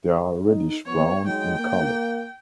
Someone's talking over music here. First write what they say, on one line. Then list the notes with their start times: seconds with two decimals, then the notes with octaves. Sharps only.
They are reddish-brown in color.
0.44 D#4
0.85 F3 B3 C#5
1.26 F#3 G#3 D#4 G5
1.59 A#3